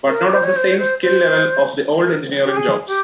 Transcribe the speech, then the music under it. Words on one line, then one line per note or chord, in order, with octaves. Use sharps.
But not of the same skill level of the old engineering jobs lost.
A#4
C5
C#5
C5
C#5
C5
C5
A#4
G4
G#4
G4